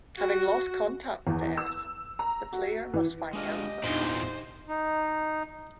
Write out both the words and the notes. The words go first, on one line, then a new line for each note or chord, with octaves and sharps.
Having lost contact with the Earth, the player must find out what happened.
F#4
E2
E6
A#5
F#4
E3
G#3 D4 F4 G4 D#5
E2 A#2 D4 D#4 C5
D#4